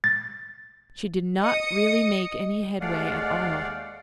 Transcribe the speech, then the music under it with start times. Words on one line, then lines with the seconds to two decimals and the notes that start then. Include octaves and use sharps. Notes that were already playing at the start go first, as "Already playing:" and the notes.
She did not really make any headway at all.
0.04 A6
1.41 D#5 D#6 C#7
2.81 D#2 G#3 A3 D5 F5 F#5